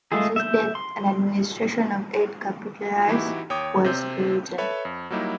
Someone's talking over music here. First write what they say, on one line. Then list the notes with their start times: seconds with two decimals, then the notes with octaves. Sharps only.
At his death, an administration of eight "capitulaires" was created.
0.12 G#3 A3 F4 G#4
0.36 E5 G6
0.75 C6
3.07 E3 D#4 E4 F#4 G4
3.50 D#2 C#5 G5 D6 D#6
3.84 C3 C4 G6
4.58 A4 B4 C#5 E5 B5
4.85 F2
5.10 F#3 G3 A#3 D#4 E4